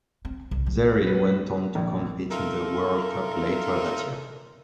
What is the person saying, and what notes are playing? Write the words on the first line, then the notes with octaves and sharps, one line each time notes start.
Zaire went on to compete in the World Cup later that year.
C4
C2
F3
B4
A#1
D#4 F4 A4 A#4 E5